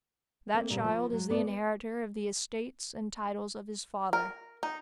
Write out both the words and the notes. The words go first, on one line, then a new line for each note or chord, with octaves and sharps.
That child is the inheritor of the estates and titles of his father.
A3 A#3 C4
A#2 C#3 G3
F3
F#3
B3 B4 D5
A#4
D#4